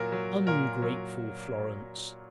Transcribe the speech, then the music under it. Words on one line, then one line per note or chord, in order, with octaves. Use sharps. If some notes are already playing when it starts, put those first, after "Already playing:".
Ungrateful Florence!
Already playing: A#2 F#3 A#4
F#3
A#2 A#4
F#3